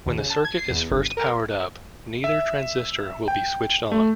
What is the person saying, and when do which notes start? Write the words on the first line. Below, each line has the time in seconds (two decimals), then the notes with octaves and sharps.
When the circuit is first powered up, neither transistor will be switched on.
0.06 D#2
0.18 C#3
0.30 A5
0.44 G#6
0.58 C7
0.70 E2
0.91 G1
1.04 D#7
1.17 A#4
2.24 E5
3.28 G5
3.92 A3